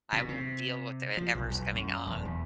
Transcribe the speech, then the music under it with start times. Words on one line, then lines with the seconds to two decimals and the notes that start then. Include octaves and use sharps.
I will deal with, er, 'ever's coming on
0.13 B2
0.29 C3
1.17 F3
1.35 B1
1.50 B1
1.75 F#2
2.06 E1
2.25 E2